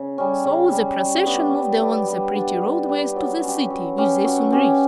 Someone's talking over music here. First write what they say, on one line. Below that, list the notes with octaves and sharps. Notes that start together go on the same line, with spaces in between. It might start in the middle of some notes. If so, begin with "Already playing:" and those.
So the procession moved along the pretty roadways to the City, which they soon reached.
Already playing: C#3
G3 C#4
C#3
G3 C#4
G3
B3 D4 G4
G3
B3 D4 G4
G3
B3 D4 G4
G3
B3 D4 G4
F#3
C#4 G4
F#3
C#4 G4
F#3
C#4 G4